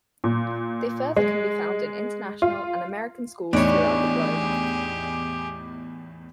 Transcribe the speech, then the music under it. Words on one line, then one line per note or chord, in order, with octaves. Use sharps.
They further can be found in international and American schools throughout the globe.
A#2
G#3
F4
E2 A2 D4 D#4 G4 G#4 C#5